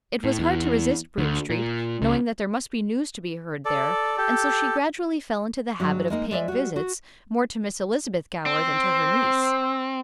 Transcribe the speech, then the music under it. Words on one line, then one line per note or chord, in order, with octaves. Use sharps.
It was hard to resist Broome street, knowing that there must be news to be heard there, and so she gradually fell into the habit of paying visits, more to Miss Elizabeth Gower than to her niece.
A2
E2
D2
A#2
C#2
A4 D5
G4 A4
G2 F#3 G#3 F#4
G#3 A#3 D#4
G#3 D5 E5 G#5
G3 F#4
F#4
C4 C5 E6